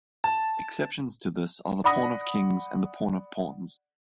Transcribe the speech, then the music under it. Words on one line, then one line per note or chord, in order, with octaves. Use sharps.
Exceptions to this are the Pawn of Kings and Pawn of Pawns.
A5
D5 F#5 B5 D#6 A#6